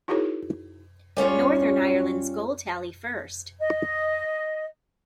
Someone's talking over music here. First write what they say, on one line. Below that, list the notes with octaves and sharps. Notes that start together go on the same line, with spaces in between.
Northern Ireland's goal tally first.
D#4 E4 F#4 G#4 A#4 C#5
G3 C#4 F4 C#5
D#5